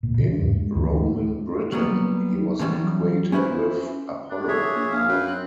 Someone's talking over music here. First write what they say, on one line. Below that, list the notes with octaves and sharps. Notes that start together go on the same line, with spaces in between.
In Roman Britain, he was equated with Apollo.
D2 A#2
C#2 C#3 E3
E2 G#2
G#3
D2 G2 D3 E3
D4
F#3 G3 A#3 B3
D3 E3 F#3 G3 C#4
C#4 E4 F#4 B4 C5
D4
G#4 C#5 E5
A#1
A#1 F5
F#2 B4 G5
C4 F#6